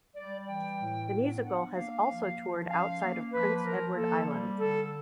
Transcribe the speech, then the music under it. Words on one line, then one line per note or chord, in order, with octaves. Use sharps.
The musical has also toured outside of Prince Edward Island.
G3 D5
E3 G5
A2
B3
D4 F#5
A#3 F5
F3
F3
C#4 F5
A#3
F3 B4
F3 A#4
A#3 A4
G3
D3 A4